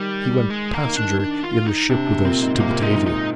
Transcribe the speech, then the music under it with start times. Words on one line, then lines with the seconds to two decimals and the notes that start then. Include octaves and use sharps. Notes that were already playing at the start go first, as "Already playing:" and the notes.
He went passenger in the ship with us to Batavia.
Already playing: D#3 G3
0.50 G#3
0.73 A#3
0.85 D#3
0.96 D4
1.19 D4
1.43 F4
1.66 D#4
1.90 C3 D4
2.07 C3
2.25 A#2 C4
2.42 G#2
2.55 C4
2.60 C3 A#3
2.70 A#2
2.81 G#2 D#4
2.93 A#2
3.06 D#4